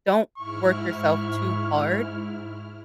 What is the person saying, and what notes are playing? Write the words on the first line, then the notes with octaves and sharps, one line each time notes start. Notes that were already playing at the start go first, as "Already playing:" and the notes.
don't work yourself too hard
G#2 E4 C#6 F6